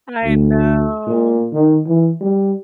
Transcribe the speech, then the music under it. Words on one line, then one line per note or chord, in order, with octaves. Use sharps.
I know.
D2
A#2
D#3
E3
G3